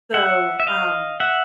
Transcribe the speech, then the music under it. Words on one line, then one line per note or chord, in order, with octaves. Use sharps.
So, um
E5 F#5
E5
D#5 F5
E5 F#5